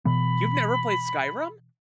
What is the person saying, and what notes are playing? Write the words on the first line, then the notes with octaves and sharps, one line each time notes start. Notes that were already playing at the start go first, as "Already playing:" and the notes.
You've never played Skyrim?
B2 E3 B3 B5